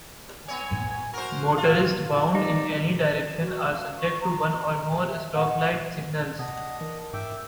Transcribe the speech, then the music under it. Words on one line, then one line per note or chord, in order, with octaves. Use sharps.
Motorists bound in any direction are subject to one or more stoplight signals.
B3 C#5 G#5
F#4 A#4 C5
F4
D#4 D5
F#4
F5
C#6
A#5
E5
F#5
C3 D4 D#5 F#5 D#6
E3 A#4
G#2 E5 G5 D6